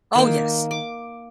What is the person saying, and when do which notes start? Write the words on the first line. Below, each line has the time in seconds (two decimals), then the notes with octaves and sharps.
Oh, yes.
0.15 D#3 A#3
0.71 D6